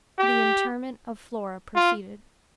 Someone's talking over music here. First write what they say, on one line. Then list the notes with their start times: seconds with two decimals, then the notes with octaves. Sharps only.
The interment of Flora proceeded....
0.19 G4
1.75 F4